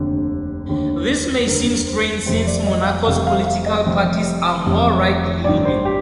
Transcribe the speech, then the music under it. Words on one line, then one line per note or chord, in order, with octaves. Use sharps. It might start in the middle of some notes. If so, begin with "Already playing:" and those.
This may seem strange since Monaco's political parties are more right-leaning.
Already playing: F1 D#2 D3
F1 D#2 D3
F1 D#2 D3 A#4
C5
F1 F2 C3 C5
D5
D#5
F5
G5
F1 F2 C3 F5
F5
F5
D#5
F1 F2 C3
F1 F2 C3
A1 G2 D#3 D5
C5
G4